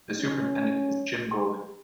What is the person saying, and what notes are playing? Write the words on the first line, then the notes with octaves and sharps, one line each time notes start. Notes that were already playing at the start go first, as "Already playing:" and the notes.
The Superintendent is Jim Golden.
C#4